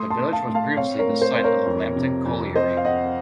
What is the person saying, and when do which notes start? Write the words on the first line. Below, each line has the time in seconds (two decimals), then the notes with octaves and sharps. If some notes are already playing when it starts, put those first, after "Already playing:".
The village was previously the site of the Lambton Colliery.
Already playing: A3 C6 D#6
0.10 A5 C6
0.18 A3
0.32 F5 A5
0.47 A2
0.55 F5 A5
0.77 C4 C#5 F5
0.99 A#4 C#5
1.07 A2
1.22 C5
1.37 C4 C5
1.44 A#4 C#5
1.66 F2
1.96 C3
2.26 F2
2.55 C4 C5 D#5
2.77 F5
2.85 C4 D#5 F#5